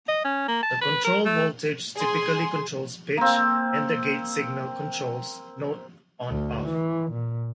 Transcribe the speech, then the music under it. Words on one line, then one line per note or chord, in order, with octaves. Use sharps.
The control voltage typically controls pitch and the gate signal controls note on-off.
D#5
C#4
A#3
A5
B4
A#4
A3
G#4 G#5 C6
A#3 C4
D2
E3
A#2